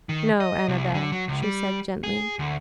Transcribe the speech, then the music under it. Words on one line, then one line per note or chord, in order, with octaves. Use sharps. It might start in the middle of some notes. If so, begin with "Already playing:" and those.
"No, Annabel," she said gently.
D#3
D#5
C2
D3
F#3
C#2
G3
G#4
D2